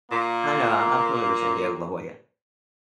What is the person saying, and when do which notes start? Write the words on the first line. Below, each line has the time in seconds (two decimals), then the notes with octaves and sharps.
I know. I I'm familiar with San Diego, La Jolla.
0.11 A#2 A#3